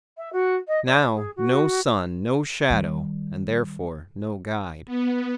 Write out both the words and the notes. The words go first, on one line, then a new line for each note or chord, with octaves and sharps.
Now, no sun no shadow, and therefore no guide.
E5
F#4
D#5
D5
G#4
F#4
D#3 G3
B3